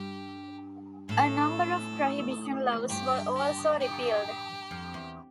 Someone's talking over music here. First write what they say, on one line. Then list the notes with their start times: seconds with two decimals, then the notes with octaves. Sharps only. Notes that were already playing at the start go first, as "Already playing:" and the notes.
A number of prohibition laws were also repealed.
Already playing: G2 G4
1.09 A2 A4
2.89 G2 G4
3.35 G4
3.81 G4
4.71 F2
4.94 E2